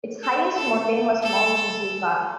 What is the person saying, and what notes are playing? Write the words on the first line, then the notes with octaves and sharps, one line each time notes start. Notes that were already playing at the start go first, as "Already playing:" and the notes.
Its highest mountain was Mount Shisuka.
A4
A4
A4